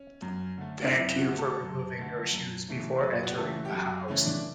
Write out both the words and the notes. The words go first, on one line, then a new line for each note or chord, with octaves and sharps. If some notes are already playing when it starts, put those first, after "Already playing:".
Thank you for removing your shoes before entering the house.
Already playing: C#4
F#2
D3 A3
D4
F#2 E4
F#4
D3 A3
A4
F#2
D3 A3
F#2
C#3 E3 A3
F#2 B4
F#4
G4
C#3 E3 A3 A4
G4
F#2 F#4
C#3 E3 A3 C#4
D4